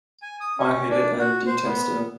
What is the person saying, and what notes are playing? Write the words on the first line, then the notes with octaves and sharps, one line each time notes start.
I hate it and detest it.
G#5
D#6
C#4
D4
F#4
C5
B3